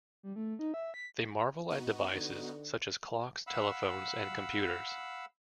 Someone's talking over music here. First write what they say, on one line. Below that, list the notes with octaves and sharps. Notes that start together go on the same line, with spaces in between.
They marvel at devices such as clocks, telephones and computers.
G3
A3
D#4
E5
B6
B3 D#4 F#4
D3
F5 F#5 B5 E6